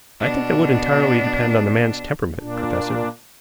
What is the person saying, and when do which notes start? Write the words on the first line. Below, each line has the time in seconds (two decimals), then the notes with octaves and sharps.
"I think that would entirely depend on the man's temperament, professor."
0.20 B2 D4
2.39 A#2 D4